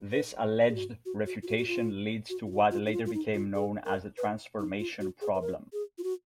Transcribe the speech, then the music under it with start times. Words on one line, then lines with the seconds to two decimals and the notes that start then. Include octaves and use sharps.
This alleged refutation leads to what later became known as the transformation problem.
0.12 B4
0.69 G#4
0.75 F#4
1.06 F#4
1.26 F#4
1.43 F4
1.47 F#4
1.58 F#4
1.68 F4
2.30 F#4
2.47 F4
2.51 F#4
2.71 F4
2.87 D#4
2.93 F4
3.06 F4
3.14 D#4
3.34 F4
3.55 G#4
3.86 A#4
4.18 B4
4.59 D#4
4.80 F4
5.01 F#4
5.21 G#4
5.34 B4
5.41 A#4
5.73 G#4
5.98 F4
6.04 F#4